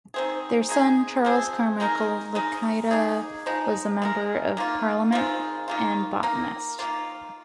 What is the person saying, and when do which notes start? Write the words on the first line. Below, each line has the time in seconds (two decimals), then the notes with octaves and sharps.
Their son Charles Carmichael Lacaita was a Member of Parliament and botanist.
0.14 D#3 C4 G#4
0.69 G#3 D#4 G#4
1.25 F3 C4 G#4
1.80 D#3 G#3 D#4 A#4
2.35 D#3 G#3 D#4 A#4
2.91 A#3 D#4 G#4
3.46 F3 G#3 D#4
4.02 G#3 F4 A#4
4.57 D#3 A#3 F4
5.12 D#3 G#3 C4 F4
5.68 D#3 A#3 F4
6.23 A#3 D#4 A#4
6.79 D#3 A#3 F4